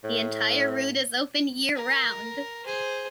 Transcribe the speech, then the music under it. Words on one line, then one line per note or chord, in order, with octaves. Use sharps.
The entire route is open year-round.
A2
A#4
G#4 C5